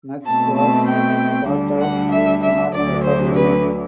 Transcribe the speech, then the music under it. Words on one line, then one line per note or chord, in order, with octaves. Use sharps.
'Nuts' was part of his normal vocabulary.
B2 A3 C4 A5
A5
G5
D2 D3 G3 D4
F#5
E5
E5
D2 D3 F#3 D5
C5
B4